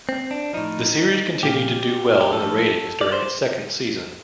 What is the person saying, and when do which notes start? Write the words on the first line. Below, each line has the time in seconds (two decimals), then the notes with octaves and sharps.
The series continued to do well in the ratings during its second season.
0.09 C4
0.31 D4
0.53 A2 F3 D#4
1.43 A#2 F3 G4
2.21 G4
2.32 A2 F3 A4
3.01 D5
3.12 C5